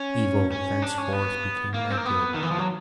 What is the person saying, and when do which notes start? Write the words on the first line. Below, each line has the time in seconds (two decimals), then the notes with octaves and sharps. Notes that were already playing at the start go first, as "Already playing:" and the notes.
Evil thenceforth became my good.
Already playing: C#4
0.52 C#4
0.82 D4
0.98 C#4
1.13 B3
1.74 A#3
1.90 C4
1.97 A#3
2.05 B3
2.34 D#3
2.43 E3
2.51 F3
2.58 F#3